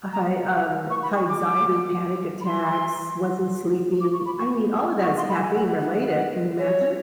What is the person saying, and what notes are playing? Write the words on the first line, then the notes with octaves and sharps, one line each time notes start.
uh, high, um high anxiety, panic attacks, wasn't sleeping, I mean, all of that is caffeine related, can you imagine?
A#5
C#6
B5
C#6
D6
B5
C6
D6
C#6
B5
C#6
C#6
C6
B5
G#5
F#5
F#5
F#5
F#5
F5
F#5
C#5